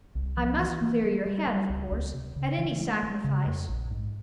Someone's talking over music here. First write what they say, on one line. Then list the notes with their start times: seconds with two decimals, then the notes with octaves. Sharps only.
I must clear your head, of course, at any sacrifice.
0.15 C2
0.37 F3
0.59 E3
0.81 A#3
1.03 G3
1.26 G3
1.47 G3
1.70 C#2
1.91 C#2
2.14 C3
2.36 C#3
2.58 E3
2.80 G#3
3.03 G#3
3.24 C#3
3.46 F2
3.69 A#1
3.91 G#2